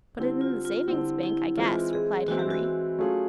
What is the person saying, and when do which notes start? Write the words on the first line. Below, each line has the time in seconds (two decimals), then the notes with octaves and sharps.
"Put it in the savings bank, I guess," replied Henry.
0.18 D3 G3 C4 E4
0.41 F4
0.65 F4
0.88 D3 G3 C4 E4
1.23 E4
1.57 E3 G#3 C4 E4 F4
1.93 G#4
2.28 E3 G#3 C4 E4 F#4
2.39 G4
2.51 F#4
2.98 F#3 A3 C#4 F4 G#4